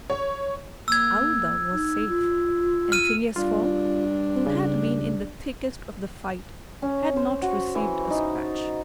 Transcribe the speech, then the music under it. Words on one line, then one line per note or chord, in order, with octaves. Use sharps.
Aouda was safe; and Phileas Fogg, who had been in the thickest of the fight, had not received a scratch.
C#5
A#3 E6 G#6
D#4
F4
F6 D#7
G2 D4 F4
C#3
C#4
C5
F#4
E3
D#4
A5